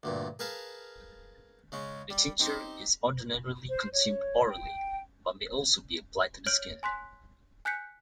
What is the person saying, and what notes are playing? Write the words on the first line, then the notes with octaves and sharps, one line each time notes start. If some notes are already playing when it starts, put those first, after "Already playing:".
The tincture is ordinarily consumed orally, but may also be applied to the skin.
D2 G2 A#2
G#4 A#4 B4 F5 A5
C#3 G#3 C#4
G3
C4 D#4 G4 C5
C5
C#5
G5
C#5 F6 G6 D7 F#7
G#5 C6 F#6 B6
G#5 F#6 G6 B6 C#7